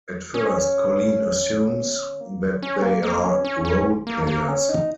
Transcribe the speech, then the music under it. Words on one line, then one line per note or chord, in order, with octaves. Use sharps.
At first Colleen assumes that they are role-players.
C#4
A#3
C#4
A#3
A#3
C#4
C#4
C#4
A#3
A#3
C#4
D#4